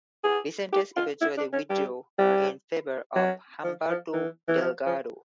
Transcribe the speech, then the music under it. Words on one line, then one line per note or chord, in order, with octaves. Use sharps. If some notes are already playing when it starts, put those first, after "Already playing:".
Vicente eventually withdrew in favour of Humberto Delgado.
G#4
G4
F4
E4
D4
C#4
G3
G3
F#3
F3
F3
E3
E3
F3
F3